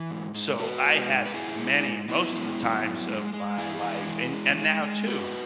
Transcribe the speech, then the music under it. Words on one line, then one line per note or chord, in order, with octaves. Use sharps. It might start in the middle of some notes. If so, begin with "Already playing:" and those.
so I had many most of the times of my life, and and now too,
Already playing: E3
G#2
G#2
G#2 F#4 B4
G#3
G#2
B4
G#2 E4 G#4
G#3
G#2
F#2 B3 E4
G#3
F#2
F#2
G#3
G#3
E3 E4 G#4
G#3
E2
G#3
G#3
G#3
G#2 F#4 B4